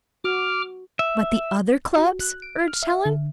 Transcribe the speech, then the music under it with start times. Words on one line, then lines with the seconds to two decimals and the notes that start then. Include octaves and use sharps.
"But the other clubs?" urged Helen.
0.24 F#4 D6 F6
0.99 E5
1.97 F#4
2.20 F#6
2.42 D7
2.68 F6
2.83 E5
3.06 D3